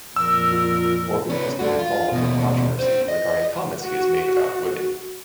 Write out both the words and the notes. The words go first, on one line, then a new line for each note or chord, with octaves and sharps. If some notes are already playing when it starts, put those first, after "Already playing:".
Corbin has been involved in controversy regarding comments he has made about women.
F2 A#2 A#4 E6
F4
C#4 B4
A3 F#4
F4
D#2 B2
C#4 C5
D#5
F#4